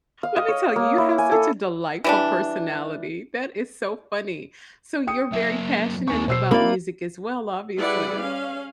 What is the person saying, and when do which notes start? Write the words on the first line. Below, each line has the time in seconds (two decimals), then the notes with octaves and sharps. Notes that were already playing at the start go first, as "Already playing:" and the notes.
Let me tell you, you have such a delightful personality. That is so funny, so you're very passionate about music as well, obviously.
0.23 F5
0.36 D#5
0.48 C#5
0.76 A#3
0.98 E4
1.18 G#5
1.32 A4
2.04 E3 G3 D4
5.07 G5 D#6 C#7
5.32 F#2 A#3 E5
6.08 D#2 C4 D#4 G#5 C#6
6.28 B2 C5 E6 C7
6.51 A#3 C4 E4 F#4 D5 B5
7.76 G3 E4 G#4 B4 D5 F#5
8.18 C#4 F5